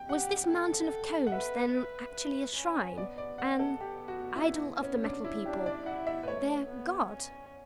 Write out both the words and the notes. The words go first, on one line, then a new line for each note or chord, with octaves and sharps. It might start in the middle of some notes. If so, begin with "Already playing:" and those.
Was this mountain of Cones then actually a shrine--an idol of the Metal People--their God?
Already playing: G5
G4 F#5
G5
A4
F#5
B4 E5
B4
B4
C#4
B3 D5
D5
F#5
A4
B3 G4
F#4
E4
C#4
D4
E4
D4 G4
D5
E4 F#5
E5
B4
A3 C#5
B3
C#4